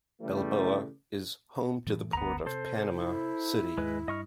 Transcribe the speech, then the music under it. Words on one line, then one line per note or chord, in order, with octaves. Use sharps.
Balboa is home to the port of Panama City.
C#3 E3 G3 A3
A2 E3 A3
F#1 D2 B3 A#5
C3 A4 C5
E4
D#2 G#2 G#3 B4
G2 D#5 C#6 F6